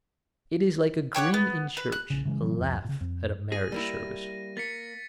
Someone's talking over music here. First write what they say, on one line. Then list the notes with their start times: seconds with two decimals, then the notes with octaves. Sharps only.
It is like a grin in church, a laugh at a marriage service.
1.15 G4 C#5 E5 F#5
1.34 B3
1.77 B4
1.92 F#6
2.10 A#1 C#3
2.25 C#3 E3 F#3 G#3
2.42 C3 E3 F#3
2.58 C2 F2 F3
2.85 A#2 C#3
3.01 F2
3.52 G#4 A#6 D#7
3.72 G3 A#3 E4
4.57 A#3 A6 B6 C#7